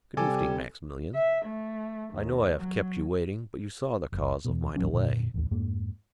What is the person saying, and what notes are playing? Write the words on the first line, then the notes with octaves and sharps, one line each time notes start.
"Good-evening, Maximilian; I know I have kept you waiting, but you saw the cause of my delay."
C3 G3 A4 G#5 D6
E5
A3
D#2
F#3
F#1
E2 B2
D#1 A1 F#3 C#4
F2 A#2 D3
A1 D#2
F2 G#2 A#3